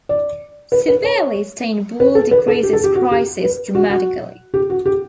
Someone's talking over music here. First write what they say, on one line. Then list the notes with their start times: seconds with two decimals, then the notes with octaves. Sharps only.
Severely stained wool decreases prices dramatically.
0.09 D5
0.72 B4
0.88 B4
1.04 C#5
2.00 B4
2.15 A4
2.31 B4
2.48 A4
2.63 G4
2.73 A4
2.84 G4
2.95 F#4
3.11 G4
3.43 B4
3.75 F#4
3.90 F#4
4.54 G4
4.70 F#4
4.86 G4